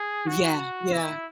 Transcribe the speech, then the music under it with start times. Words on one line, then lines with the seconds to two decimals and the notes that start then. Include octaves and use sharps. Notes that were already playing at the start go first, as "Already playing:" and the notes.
Yeah, yeah.
Already playing: G#4
0.27 F#4
0.92 E4